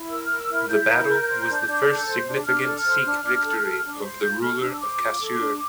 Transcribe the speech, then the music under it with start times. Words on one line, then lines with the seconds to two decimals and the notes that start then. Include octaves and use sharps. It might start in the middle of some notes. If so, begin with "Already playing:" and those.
The battle was the first significant Sikh victory over the ruler of Kasur.
Already playing: E4
0.10 A#4 E6
0.25 A#4 F6
0.40 E6
0.49 E4 F6
0.69 E4 G6
0.88 A#4
1.08 A#4
1.27 C5
1.47 D4
1.67 D4
1.87 A4
2.06 C5
2.25 D4
2.45 D4 F6
2.64 A4
2.85 C5
3.05 D4
3.23 D4
3.43 A4
3.63 A4
3.83 D4
4.02 C5
4.22 F4 G6
4.41 A4 F6
4.61 D4 E6
4.73 E6
4.80 C5 D6
5.00 F4
5.20 A4
5.39 D4